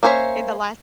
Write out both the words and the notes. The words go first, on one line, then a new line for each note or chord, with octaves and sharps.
in the last
A#3 C#4 C5 C#5 E5